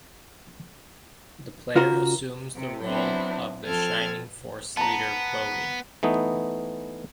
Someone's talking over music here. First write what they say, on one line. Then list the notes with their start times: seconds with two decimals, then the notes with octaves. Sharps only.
The player assumes the role of the Shining Force leader, Bowie.
1.75 C#3 F4 F#4 A#4
2.56 C3
2.84 F#3 B3 C4 D4 E4
3.64 F3 C4 A4 A5 F6 G#6
4.77 B3 A5 A#5
6.03 E3 A3 B3 D#4